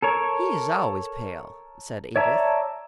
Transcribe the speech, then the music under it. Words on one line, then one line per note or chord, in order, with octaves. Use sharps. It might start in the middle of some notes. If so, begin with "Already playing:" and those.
"He is always pale," said Edith.
A4 A#4 C#5
C#5 D5 E5 A5 A#5